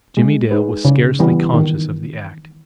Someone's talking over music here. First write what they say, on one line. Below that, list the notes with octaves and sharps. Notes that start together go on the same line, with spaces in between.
Jimmie Dale was scarcely conscious of the act.
G#3
D#4 G#4 B4
C#3
E3 G3 B3 G4
D#3